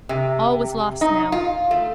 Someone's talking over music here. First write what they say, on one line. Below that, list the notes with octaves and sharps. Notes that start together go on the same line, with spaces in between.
All was lost now.
C3
D#4
F4
A3